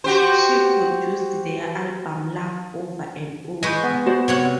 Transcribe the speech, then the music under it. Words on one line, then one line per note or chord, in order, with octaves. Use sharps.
She produced their album "Love Over and Over".
F#4 G4 C5
G#3 B4 D#5 C#6 G6
B3
F#4 C5 D5
C3 C#5 F#5